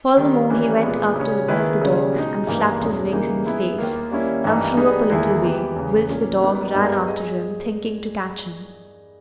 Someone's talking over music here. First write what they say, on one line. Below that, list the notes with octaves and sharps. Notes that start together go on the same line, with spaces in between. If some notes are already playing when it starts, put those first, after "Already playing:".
Furthermore he went up to one of the dogs and flapped his wings in his face and flew up a little way, whilst the dog ran after him thinking to catch him.
D#3 G3 B3
E3 G3 A#3 C#4
A#2 G#3 B3
C#3 G3 C#4
D#3 A#3 E4 G#4 B4
C#3 G3 C#4
B2 G#3 D#4
G2 E3 A#3 D#4
E2 B2 G#3 C#4
C#3 E3 A#3 D#4 A#4
G#3 B3 E4 G#4
D#2 D#3 A#3
G3 A#3 C#4 E4
G2 E3 A#3 D#4 A#4
G3 B3 D#4 G#4
E2 D#3 A#3 E4 G#4
E3 G#3 B3 G4
E2 C#3 E3
A#2 A#3 C#4
G3 B3 D#4 A#4
G2 G3 B3 D#4 A#4
G#4 D#5